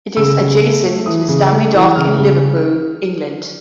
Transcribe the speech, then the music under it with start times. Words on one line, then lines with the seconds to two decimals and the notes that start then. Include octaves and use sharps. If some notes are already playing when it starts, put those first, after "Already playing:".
It is adjacent to the Stanley Dock, in Liverpool, England.
0.17 C#3 E6
0.39 C#3
0.62 A3
0.85 A3
1.06 E3 D#6
1.28 C#3
1.51 A3
1.74 E3
1.96 C#3 F6
2.18 C#3